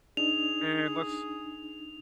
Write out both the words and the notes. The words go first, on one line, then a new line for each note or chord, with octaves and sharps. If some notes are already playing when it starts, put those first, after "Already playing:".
And let's
D4 D#4 G#4 F7